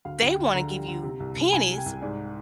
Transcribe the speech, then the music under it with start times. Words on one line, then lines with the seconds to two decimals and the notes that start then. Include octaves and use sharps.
They wanna give you pennies
0.05 D2 F5
0.22 D2
0.30 G5
0.38 D2
0.54 D3 A#5
0.70 G3
0.88 D3
1.03 C3
1.20 C2
1.36 C2
1.53 C2 G#5
1.70 C3
1.77 G5
1.86 C2
2.02 G#2 D5